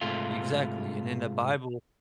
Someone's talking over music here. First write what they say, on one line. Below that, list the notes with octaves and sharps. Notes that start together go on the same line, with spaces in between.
Exactly, and in the bible
G#2 C3 A3 F4